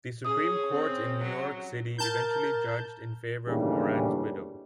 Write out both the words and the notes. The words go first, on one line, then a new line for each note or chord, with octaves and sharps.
The Supreme Court in New York City eventually judged in favor of Moran's widow.
C3 C#4 G#4 D#6
C4
F#3
A#4 A5 G6
D#2 A2 C#3 E3 G3 D4